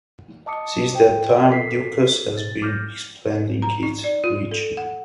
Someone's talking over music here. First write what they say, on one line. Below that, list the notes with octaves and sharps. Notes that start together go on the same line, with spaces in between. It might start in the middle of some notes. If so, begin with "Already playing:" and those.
Since that time, Ducasse has been expanding his reach.
D#5 A5 D6 D#6 C#7
C5 G5
F4 A4 A#4 D6 B6 C7
A6
D6 F6 G6 A#6
A#5
D#4
D5
F4
A4
F#5